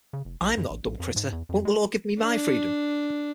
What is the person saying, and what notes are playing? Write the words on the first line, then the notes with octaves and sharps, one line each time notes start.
I'm not a dumb critter; won't the law give me my freedom?
C#3
F1
B1
F#2
A1
A#1
F2
G#2
E2
F2
G#3
D4